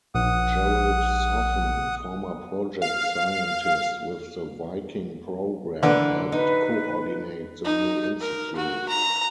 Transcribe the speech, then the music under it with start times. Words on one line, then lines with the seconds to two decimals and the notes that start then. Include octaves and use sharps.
Gerald Soffen former Project Scientist with the Viking program, helped coordinate the new institute.
0.15 A#1 F#5 D#6
2.82 F5
5.83 D3 E3 A#4 B4
6.32 D#4 B4
7.65 D#4
8.21 A#4
8.56 F#4
8.89 A#5